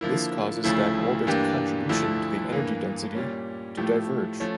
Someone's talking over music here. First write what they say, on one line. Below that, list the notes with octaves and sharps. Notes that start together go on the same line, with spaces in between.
This causes that orbit's contribution to the energy density to diverge.
D3 F3 A#3 E4
D2 C#3 F3 A3 E4
G2 E3 A#3 D4 G4
D2 D3 F3 A3 E4
G2 E3 A#3
A#2 G3 C#4
A2 F3 A3 E4 G4
F3 A3 C#4